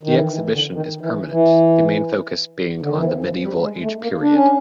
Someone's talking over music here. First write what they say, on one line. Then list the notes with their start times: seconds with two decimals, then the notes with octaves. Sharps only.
The exhibition is permanent, the main focus being on the Medieval age period.
0.03 D#3
0.14 E3
0.34 E3
0.53 D3
0.73 D#3
1.01 E3
1.31 E3
2.82 D3
2.89 D#3
2.97 E3
3.04 F3
3.24 F3
3.43 G3
3.62 G#3
3.82 A3
4.02 A#3
4.21 D4
4.35 C#4